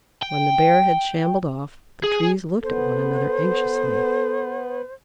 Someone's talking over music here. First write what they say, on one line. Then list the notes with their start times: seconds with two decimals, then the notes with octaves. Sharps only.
When the Bear had shambled off, the Trees looked at one another anxiously.
0.22 G5
2.03 G#4
2.64 B3 A4 C5